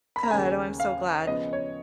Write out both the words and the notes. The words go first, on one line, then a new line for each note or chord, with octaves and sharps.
Good. Oh, I'm so glad.
B5
A#5
D#2 C#3 G#3 G#5
F5
C#3 F3 B3 D#5
C#5